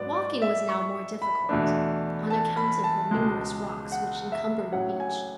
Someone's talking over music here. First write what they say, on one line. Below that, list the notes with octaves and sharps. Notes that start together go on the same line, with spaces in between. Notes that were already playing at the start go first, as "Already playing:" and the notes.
Walking was now more difficult, on account of the numerous rocks which encumbered the beach.
Already playing: G#2 F#3 B3 D5
D5
E5
C#6
B5
E2 B2 A3 D4
A5
B5
A5
C#2 B2 G#3
F#5
E5
A2 F#3 C#4 F#5
G#5